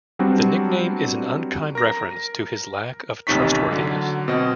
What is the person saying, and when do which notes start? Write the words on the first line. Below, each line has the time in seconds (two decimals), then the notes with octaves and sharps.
The nickname is an unkind reference to his lack of trustworthiness.
0.19 F#3 G3 B3 C4 D4 F#4
1.75 A#4 A#6
3.27 A1 D#2 C3 D#4 C#6 B6
3.71 D3 F#3
4.28 B2 C4 D#5